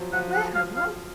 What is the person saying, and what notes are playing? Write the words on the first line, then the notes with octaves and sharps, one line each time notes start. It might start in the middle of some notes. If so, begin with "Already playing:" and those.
"Where am I?"
Already playing: F3 F#3
F3 F#5
F#5
F5
F5